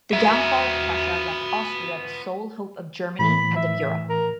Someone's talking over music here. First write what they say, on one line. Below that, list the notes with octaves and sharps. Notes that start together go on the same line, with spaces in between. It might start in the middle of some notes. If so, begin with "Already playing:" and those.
The downfall of Prussia left Austria the sole hope of Germany and of Europe.
B3 F4 F#4 E5
A2 E3 B5
E5
A#4